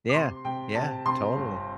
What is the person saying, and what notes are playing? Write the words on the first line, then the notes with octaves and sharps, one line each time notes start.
Yeah, yeah, totally.
D6
C3 C6
C3 G5
C3 A5
C3 C6
G1